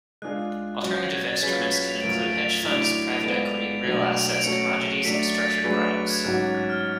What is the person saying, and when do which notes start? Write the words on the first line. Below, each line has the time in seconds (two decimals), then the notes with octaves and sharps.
Alternative investments can include hedge funds, private equity, real assets, commodities, and structured products.
0.22 G#3 D4 F4 G#4 F#6
0.83 F#3 C#4 F#4 F#6
1.13 G#6
1.28 A6
1.42 F#3 C#4 F4 G#4 B4 B6
1.73 B6
1.88 F7
2.01 F#2 F3 A3 F4 D7
2.15 F7
2.63 A2 F#3 A3 D4 F7
2.78 D7
2.86 F7
2.95 D7
3.23 G#3 B3 F4 A4 D5
3.54 F7
3.83 B2 F#3 A3 D4 F#7
3.99 F7
4.14 F7
4.29 D7
4.44 F#3 A3 C#4 F#4 A4 C#7
5.05 F#3 A3 D4 B6
5.19 A6
5.35 A6
5.49 B6
5.64 F#3 A3 D4 G#4 B4 A6
5.74 D6
5.84 F#6
5.94 F#6
6.10 G#6
6.24 G#2 F#3 C#4 F#4 F#6
6.55 F#6
6.70 F6